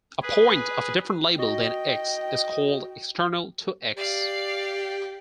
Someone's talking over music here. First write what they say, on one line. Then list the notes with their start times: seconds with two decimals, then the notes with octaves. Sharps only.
A point of a different label than "x" is called external to "x".
0.22 G#4 B4
1.39 F#4 D#5 G5
3.97 G4 D5 F5